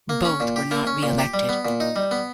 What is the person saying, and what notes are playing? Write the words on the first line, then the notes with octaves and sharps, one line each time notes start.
Both were not re-elected.
A#3
C#4
A#2
G4
A#3
C#4
A#2
G4
G3
B3
A#2
D#4
G3
B3